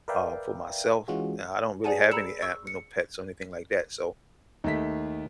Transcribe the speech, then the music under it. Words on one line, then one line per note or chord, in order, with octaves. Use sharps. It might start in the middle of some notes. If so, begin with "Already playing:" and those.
uh, for myself, uh, I don't really have any a no pets or anything like that, so,
A#4 B4 D5 E5 F5 G5
E3 G#3 C#4 F4 F#4 G#4
G#4 C5 D5 F#5 G#5 A5
A#5 B5 E6 C#7 E7
C#6 E6
C#7
D#2 A3 D#4 B6